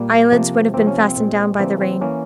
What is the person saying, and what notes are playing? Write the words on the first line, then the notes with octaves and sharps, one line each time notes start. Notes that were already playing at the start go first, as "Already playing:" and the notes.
Eyelids would have been fastened down by the rain.
Already playing: A#2 G3 A#3
C3 F3 A#3
C3 F3 A#3 C4
C#4
C4
A#2 G#3
C3 E3 G3 A#3 C4
C4
E3 A#3 C#4